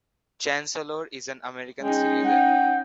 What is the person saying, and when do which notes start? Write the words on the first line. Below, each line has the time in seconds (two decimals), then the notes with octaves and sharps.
Chancellor is an American citizen.
1.82 G#3 C#4 D#4 G5
2.25 F#5 G5